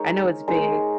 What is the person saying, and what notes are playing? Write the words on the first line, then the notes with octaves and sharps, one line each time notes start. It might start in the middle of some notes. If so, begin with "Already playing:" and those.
I know it's big.
Already playing: G#3 D#4 A#4 C#5
G#3 D#4 A#4 C#5